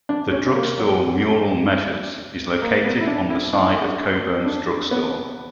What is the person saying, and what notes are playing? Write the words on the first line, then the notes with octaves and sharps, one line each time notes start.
The Drug Store Mural measures and is located on the side of Cockburn's Drugstore.
D4
C#4
A#3
F#3
A#3
B3
E4
D4
E4
D4
D4
B3